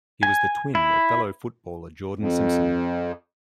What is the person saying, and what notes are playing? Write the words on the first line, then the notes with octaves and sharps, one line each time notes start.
He was the twin of fellow footballer Jordan Simpson.
G#5
E4
F2